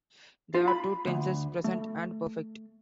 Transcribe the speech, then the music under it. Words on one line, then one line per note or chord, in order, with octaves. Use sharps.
There are two tenses: present and perfect.
F4
B5
D2
A3